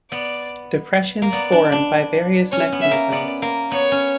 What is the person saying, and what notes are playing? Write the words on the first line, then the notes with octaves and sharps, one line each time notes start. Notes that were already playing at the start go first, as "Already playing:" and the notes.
Depressions form by various mechanisms.
B3 D5
A#3
B3 D5
D4
D4
C#4 C#5
B3
E5
A#3
B3 D5
A#3
B3 C#5
C#4